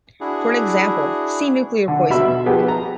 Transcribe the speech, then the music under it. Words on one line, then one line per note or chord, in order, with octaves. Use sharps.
For an example, see nuclear poison.
D4 E4 F#4 G#4
D3
B2 E5 B5 E6
F3 B3 G4 G#4
A#5